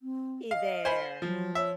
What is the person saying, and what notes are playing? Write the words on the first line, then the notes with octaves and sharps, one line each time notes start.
Hey there.
C4
D#5 F5
C5 G#5 B5
F3 F#3
C#5 E5